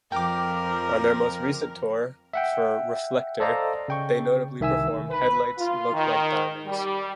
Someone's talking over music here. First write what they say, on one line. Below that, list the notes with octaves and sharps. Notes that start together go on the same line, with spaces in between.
On their most recent tour, for "Reflektor", they notably performed Headlights Look Like Diamonds.
F2 F3 A#4 G5 D6
E5 F#5 G5
A4 C5 D5 D#5 F5 A#5
C#3 G5 C#6
C2 D#3 E5 G#5 E6
B4
F4
D#3
G3